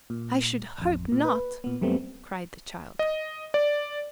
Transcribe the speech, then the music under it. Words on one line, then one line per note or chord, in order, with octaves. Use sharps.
"I should hope not," cried the child.
A#2
A1 F2
A#2
B4
A#2 B3
F#2 G3 A3 B3 C4
D#5
D5